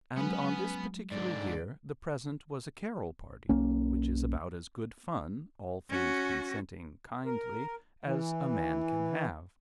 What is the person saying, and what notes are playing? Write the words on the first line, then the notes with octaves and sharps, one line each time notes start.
And on this particular year the present was a Carol party,--which is about as good fun, all things consenting kindly, as a man can have.
F#3 G#3 B3 C#4 B4
G#2 D3 D5
B1 A#3 C#4
C#4 F#4
A#4
E3